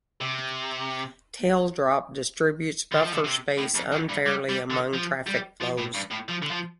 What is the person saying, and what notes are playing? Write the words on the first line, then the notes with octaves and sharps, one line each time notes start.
Tail drop distributes buffer space unfairly among traffic flows.
C3
D3
F3
D3
C3
A2
F2
F2
G2
G3
G3
D3
F3
G3
F3
A2
G2
A2
F3
D3
F3